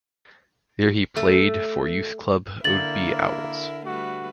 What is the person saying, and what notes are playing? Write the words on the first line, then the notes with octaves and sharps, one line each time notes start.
There he played for youth club Oadby Owls.
A3
D3 A#3 E4 A#4 A6 F#7
G3 A3 F#4 B4